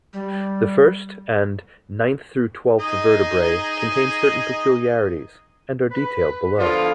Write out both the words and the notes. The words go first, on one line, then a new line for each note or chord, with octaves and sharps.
The first and ninth through twelfth vertebrae contain certain peculiarities, and are detailed below.
G3
D#4 G#4 D#5
B4
D3 F3 B3 E4 F4